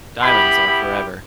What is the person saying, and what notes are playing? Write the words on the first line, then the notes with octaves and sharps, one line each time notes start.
Diamonds are forever.
B3 E4 G4 B5
B3 E4 G4